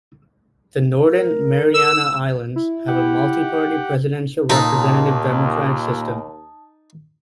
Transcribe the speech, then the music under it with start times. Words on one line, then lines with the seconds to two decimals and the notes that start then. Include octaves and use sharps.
The Northern Mariana Islands have a multiparty presidential representative democratic system.
1.11 A#4
1.74 E6
2.56 E4
2.88 G4 F#5
4.50 D#2 A#2 D#4 A4 A5 D#6